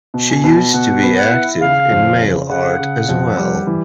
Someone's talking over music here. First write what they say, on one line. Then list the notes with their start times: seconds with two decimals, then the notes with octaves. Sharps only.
She used to be active in mail art as well.
0.14 B2
0.29 G#5
0.44 B2
0.73 B2 F#5
1.03 B3
1.17 F#5
1.31 E4
1.61 C#3 F5
1.91 F2
2.20 C#3
2.49 C#3 F#5
2.78 C#3
3.09 F2
3.37 G3
3.67 E3